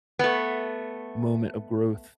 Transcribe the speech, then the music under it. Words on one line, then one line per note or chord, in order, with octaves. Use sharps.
moment of growth
A3 B3